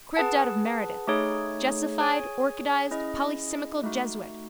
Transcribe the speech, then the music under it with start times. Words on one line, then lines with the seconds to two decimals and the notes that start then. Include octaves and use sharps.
Cribbed out of Meredith. Jesified, orchidised, polycimical jesuit!
0.17 G#4 B4 F#5 A5
1.07 A3 D#4 G#4 C#5
1.99 G#4 C#5 G#5
2.91 C#4 E4 G#4 D#5
3.83 A3 D#4 F#4